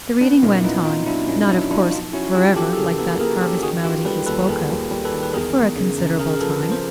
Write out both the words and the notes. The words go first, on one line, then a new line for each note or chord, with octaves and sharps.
The reading went on, not of course "for ever," like that harvest melody he spoke of, but for a considerable time.
B3 C4 D4
A#2 C#4 D#4
E4
B3 D#4 F4
B3 D#4 F4
F#3 D4 E4
A#2 C#4 D#4
F#3 D4 E4
F#3 D4 E4
F#4
F3 D#4 F4
C#4 E4 F#4
C#4 F4 G4
F3 G4 A4
A4
C#3 G#4 A#4
A#3 A4 B4
A#3 G#4 A#4
C#4 G4 A4
D#3 F#4 G#4
D#3 F4 G4
G3 A4 B4
D#2 A4 B4
D#2 G#4 A#4
D#2
G3
A4 B4
D#3
B4
E2 G#4 A#4
E2
C#3
C#3
C#3 G#4 A#4
A#4
F3 A4 B4
F3
C5